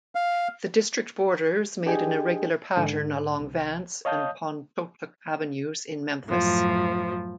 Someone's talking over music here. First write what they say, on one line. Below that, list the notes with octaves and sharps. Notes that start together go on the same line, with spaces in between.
The district borders made an irregular pattern along Vance and Pontotoc Avenues in Memphis.
F5
D4 G4 G#4 D#5 G5 G#5
G#2 D3 G#3
C2
C#5 D#5 F5 A5 D#6 G6
F#2 A2 F3